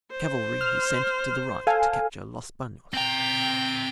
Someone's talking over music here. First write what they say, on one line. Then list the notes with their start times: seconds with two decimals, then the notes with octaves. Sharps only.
The cavalry he sent to the right to capture Los Banos.
0.11 C5
0.61 F6
1.67 A4 F5 G#5
2.94 C4 G5 A#5